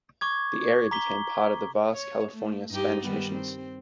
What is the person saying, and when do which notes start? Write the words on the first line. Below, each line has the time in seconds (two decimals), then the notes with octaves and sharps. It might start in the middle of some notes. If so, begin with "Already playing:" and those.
The area became part of the vast California Spanish missions.
0.21 C#6 D6 G#6
0.91 A#5 D6 B6 G7
1.93 C#5
2.32 A3
2.70 G2 D#4 G4
3.01 D#3 G3 B3
3.33 C4